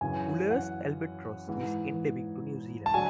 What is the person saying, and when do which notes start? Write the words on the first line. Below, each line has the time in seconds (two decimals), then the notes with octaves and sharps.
Buller's albatross is endemic to New Zealand.
0.01 F#2 C#3 E3 G#5
0.51 F#5
1.48 G#2 E3
2.86 A5
2.94 D3 F#3 G#5